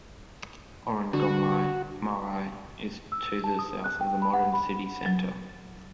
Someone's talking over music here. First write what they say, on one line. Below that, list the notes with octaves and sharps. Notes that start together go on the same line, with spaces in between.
Orongomai Marae is to the south of the modern city centre.
D3 F#4
E6
A5
D#6
F#6
G5
B5
F#5
B5
F#3